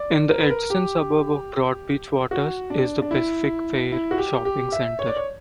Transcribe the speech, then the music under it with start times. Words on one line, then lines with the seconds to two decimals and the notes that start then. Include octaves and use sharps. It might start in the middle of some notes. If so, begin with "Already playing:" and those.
In the adjacent suburb of Broadbeach Waters is the Pacific Fair Shopping Centre.
Already playing: D5
0.29 A#4
0.40 B4
0.50 A#4
0.70 G4
2.31 F#4
2.70 D4
3.02 D4
3.11 E4
3.92 E4
4.11 F#4
4.18 G4
4.45 G4
4.72 E5
4.99 C#5
5.07 D5
5.16 C#5